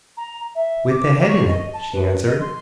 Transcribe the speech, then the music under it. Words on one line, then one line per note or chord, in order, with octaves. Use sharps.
"With the head in it," she answered.
A#5
E5
D6
C#6
D#5
A5
B4
D#5
C6